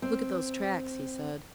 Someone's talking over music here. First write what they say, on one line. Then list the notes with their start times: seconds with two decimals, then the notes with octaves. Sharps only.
"Look at those tracks," he said.
0.02 C4